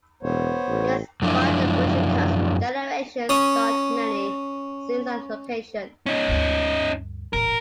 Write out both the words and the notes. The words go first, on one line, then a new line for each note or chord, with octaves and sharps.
Despite the budget cuts, "Generations" shot many scenes on location.
E1 B3 C5 C#5
A1
F#2 F3 D4 E4
C#4 D#6
C#4 D#4
D2 G2
D#1 A1 A#4